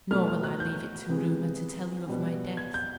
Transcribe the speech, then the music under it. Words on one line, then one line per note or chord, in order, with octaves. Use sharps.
Nor will I leave it to rumor to tell you of my death.
B2 F#3 A3 F6
F6
F#6
G6
C3 E3 G#3 B3
B2 G3 B3
G#6
G6